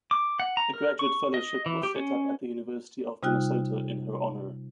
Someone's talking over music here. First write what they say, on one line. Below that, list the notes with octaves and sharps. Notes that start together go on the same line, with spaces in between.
A graduate fellowship was set up at the University of Minnesota in her honor.
D6
F#5
A#5
A#4
C#6
D#5
E3
G4
C#4
C3 G3 D#4 F4 G5 F#6